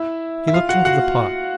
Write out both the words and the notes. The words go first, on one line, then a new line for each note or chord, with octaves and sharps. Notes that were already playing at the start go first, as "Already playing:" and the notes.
He looked into the pot.
Already playing: E4 E5
E5
F4 F5
F#4 F#5
F#4 F#5